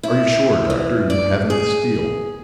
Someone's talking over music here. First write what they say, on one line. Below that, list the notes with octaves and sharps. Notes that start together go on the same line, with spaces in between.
"Are you sure, Doctor, you haven't the steel?"
E4
E3
D5
G#4